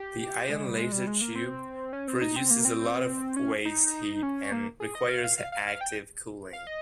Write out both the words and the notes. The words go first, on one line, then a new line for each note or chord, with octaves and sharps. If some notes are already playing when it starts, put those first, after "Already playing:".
The ion laser tube produces a lot of waste heat and requires active cooling.
Already playing: G4
G#3
G3
G#3
G3
G#3
A#3
C4
C#4
C4
D#4
C4
A#3
C4
C#4
D#4
C#4
A#3
G#4
D#5
F5
F5
F5
F5
F5
G5
F5
D#5